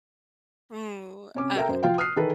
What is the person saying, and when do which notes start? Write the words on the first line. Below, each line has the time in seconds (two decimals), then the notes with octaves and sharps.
Ooh, uh,
1.35 C3 C#4 D6
1.56 A4 A#4 E5 G5 A#5
1.69 F#2 C5
1.83 F3 F4 F5 G5
1.98 D#6 F6 F#6 C7
2.16 D#3 E3 G#4 A4 B4